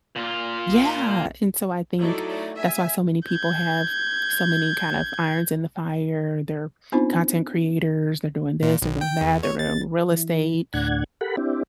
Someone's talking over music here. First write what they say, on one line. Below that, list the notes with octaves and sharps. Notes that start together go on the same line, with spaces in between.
yeah, and so I think that's why so many people have so many, kind of, irons in the fire, they're content creators, they're doing this, they're doing that, they're in real estate,
A#2 F4
F#3 A3 D#4 E4 D5
E5 G#5
G6 G#6
B3 C4 D4 D#4 F4 C5
A#2
B1
G5
E2
C#5
A6
E3
D2 A2 D4 F#5 G#6
G4 A4 A#4 F#5 B5
C4 D4 E4 G4